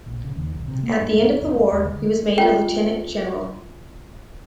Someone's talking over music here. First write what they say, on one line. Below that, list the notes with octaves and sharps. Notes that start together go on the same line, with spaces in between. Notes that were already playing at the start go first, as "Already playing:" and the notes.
At the end of the war he was made a Lieutenant-general.
A#1
C#3
D#2
B1
C3
A#3
G2
C#2
F1
A3
D#2
D3
C#4 F4 G5